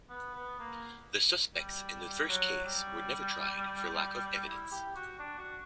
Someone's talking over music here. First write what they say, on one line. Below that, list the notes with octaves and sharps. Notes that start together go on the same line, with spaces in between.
The suspects in the first case were never tried, for lack of evidence.
B3
B3
A#3
G3
F#3
G3
E4
G4
F#4
D4
F#4